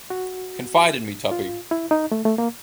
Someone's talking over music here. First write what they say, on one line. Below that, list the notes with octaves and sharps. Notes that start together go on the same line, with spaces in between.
Confide in me, Tuppy.
F#4
F4
E4
D#4
A3
A3
A#3